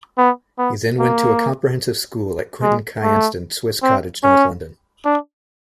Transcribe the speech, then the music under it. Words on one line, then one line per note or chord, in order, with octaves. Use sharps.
He then went to a comprehensive school at Quintin Kynaston, Swiss Cottage, North London.
B3
B3
A#3
G#3
A3
C4
C#4
D4